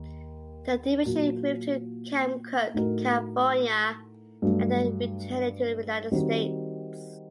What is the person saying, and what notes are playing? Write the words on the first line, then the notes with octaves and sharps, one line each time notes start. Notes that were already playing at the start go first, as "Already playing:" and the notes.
The division moved to Camp Cook, California after returning to the United States.
Already playing: D#2
A#2 F#3 A#3 F#4
A2 A3 D#4 F#4 A#4
G2 F#3 A3
D#3 G3 C4 F#4